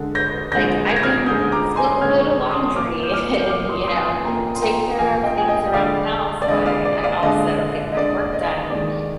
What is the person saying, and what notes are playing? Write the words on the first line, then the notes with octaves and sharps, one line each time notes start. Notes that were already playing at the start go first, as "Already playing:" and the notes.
like, I can flip a load of laundry and, you know, take care of things around the house while I also get my work done," and
Already playing: D3 G#3
G6 A#6
D3 G#3 G6 A#6
G#6
A#6
F6 G#6
D3 G#3 D#6 G6
A#5 D6
G#5 C6
D3 G#3 F6 G#6
C6 D#6
A#2 F3 A#3 D6 F6
G6
D6 F6
G6
A#2 F3 A#3 D6 F6
C6 D#6
C6 D#6
G#5 C6
A#2 F3 A#3 G5 A#5
C6
G5 A#5
A#2 F3 A#3 F5 G#5
D#5 G5
G#5
D#5 G5
D3 G#3 D5 F5
D5
D3 G#3 D#5
D5 F5
D5
D5 F5
D3 G#3 D#5
D#5
D3 G#3 D5
D#5
D#3 G#3 D5